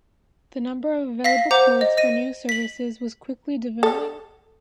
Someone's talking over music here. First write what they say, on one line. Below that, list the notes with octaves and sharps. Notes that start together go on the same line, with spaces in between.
The number of available codes for new services was quickly dwindling.
F5 A#6 B6
C5 F#5 A#5 D6 G6
D#5
D#5 A#6 D#7
B6 F#7
A4